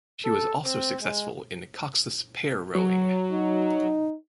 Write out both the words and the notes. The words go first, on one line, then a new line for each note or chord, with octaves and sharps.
She was also successful in coxless pair rowing.
A4
C4
G#3
F#3
D#4